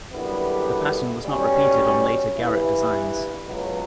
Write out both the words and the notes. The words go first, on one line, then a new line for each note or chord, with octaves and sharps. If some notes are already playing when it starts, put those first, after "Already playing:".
The pattern was not repeated on later Garratt designs.
F#2 D3 G3 B3 E4
B2 G3 C#4
G2 E3 B3 E4
C#2 B2 F#3